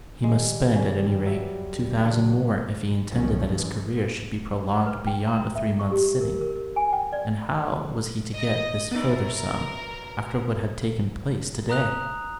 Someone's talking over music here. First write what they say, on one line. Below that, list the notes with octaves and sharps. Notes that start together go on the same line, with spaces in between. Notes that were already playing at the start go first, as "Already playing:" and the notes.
He must spend, at any rate, two thousand more if he intended that his career should be prolonged beyond a three months' sitting;--and how was he to get this further sum after what had taken place to-day?
D#3 G3 G#3
C#3 C#4
F#3 E5
D#2
E2 C#3 F#3 D4 F#4
C2 D#3 F3 F#3 A3 C#4
G#2 C#3 E3 F3 G#3
B4
G5
A#5
E5
C#6
G4
A#4
A#4
G#5
G5
D5
D#5
F#2 B3 D#4 A#4 B4 D5
A#5 D#6 F#6 F7